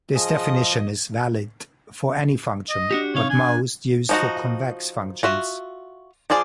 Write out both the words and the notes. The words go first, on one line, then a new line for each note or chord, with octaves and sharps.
This definition is valid for any function, but most used for convex functions.
F3 G#4 D#5
D#5
D4 F#4 G4
C3 D#4 C#5 F5
D4 G#5
F3 D#4 F#4
F4 F#4 E5
F3 F4 G#4 D5